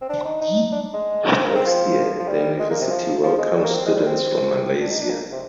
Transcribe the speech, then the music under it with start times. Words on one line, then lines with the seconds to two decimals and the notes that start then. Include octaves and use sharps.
The next year, the university welcomed students from Malaysia.
0.01 C4
0.10 D4
0.25 D#4
0.41 D#4
0.72 D4
0.94 G#3
1.35 C4
1.45 A#3
1.56 C4
1.67 F3
2.20 F3
2.29 G3
2.60 G#3
2.71 A#3
2.81 C3
2.91 F3
3.23 F3
3.39 G#3
3.55 G3
3.64 A#3
3.75 C4
3.86 G#3
3.96 G3
4.06 C4
4.80 D4
4.90 D#4
5.01 D4
5.10 A#3
5.32 C3